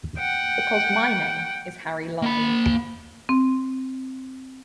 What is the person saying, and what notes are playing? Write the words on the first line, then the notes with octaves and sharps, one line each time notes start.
Because my name is Harry Lime.
F#5 G5
A#3 B5
C4